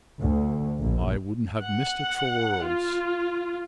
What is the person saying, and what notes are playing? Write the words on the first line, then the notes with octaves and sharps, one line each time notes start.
"I wouldn't have missed it for worlds."
D2
A#1
F#5
F4